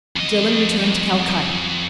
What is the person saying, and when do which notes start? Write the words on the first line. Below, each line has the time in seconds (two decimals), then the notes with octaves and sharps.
Dillon returned to Calcutta.
0.16 F2 D#5